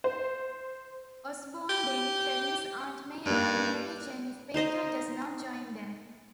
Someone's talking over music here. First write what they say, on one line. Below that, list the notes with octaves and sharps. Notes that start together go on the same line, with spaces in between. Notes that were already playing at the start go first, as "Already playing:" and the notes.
Osborn then threatens Aunt May and Mary Jane if Peter does not join them.
C5
G4
G2 A#3 D#4
D#4 C5 D#5 A#5